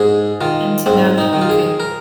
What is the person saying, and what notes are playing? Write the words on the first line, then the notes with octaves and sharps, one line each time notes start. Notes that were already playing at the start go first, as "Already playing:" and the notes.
and to know that you could
Already playing: G#2 G#4
D#3 F4
G#2 C4
D#4
D#3
F4
G#4
A#4